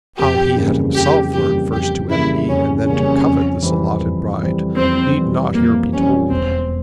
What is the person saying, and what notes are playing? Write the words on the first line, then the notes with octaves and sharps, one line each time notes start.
How he had himself learned first to envy and then to covet this allotted bride need not here be told.
F2 G4
C#3 E3 G3 A#3
F2 G4
C#3 E3 G3 A#3 G4
F2 G4
C#3 E3 G3 A#3 E4
F2 C#4
C#3 E3 G3 A#3 C#4
F2
E3 G3 C4
F2
E3 G3 C4
F2 C4
E3 G3 C4
F2 A#3
E3 G3 C4 C#4
E1 C4